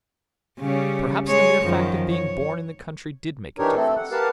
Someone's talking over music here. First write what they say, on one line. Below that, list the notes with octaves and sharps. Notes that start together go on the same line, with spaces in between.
Perhaps the mere fact of being born in the country did make a difference.
C#3 G3 C#4
G#3 G#4 C#5
F#2 D#3 F3
C#5
E3 D4 D#4 G4 A#4 C#5
A3 C4 A4
F#5
G4 A#4 B4 F5 F#5 A5